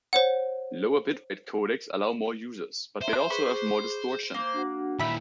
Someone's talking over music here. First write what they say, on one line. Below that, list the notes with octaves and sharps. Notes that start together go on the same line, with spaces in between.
Lower bitrate codecs allow more users, but they also have more distortion.
C5 C#5 F#5
C5 E5 A#5
G#4 B4 C#6 D6
A#3
D4 F#4 F#5
A#2 D#3 E4 E5 B5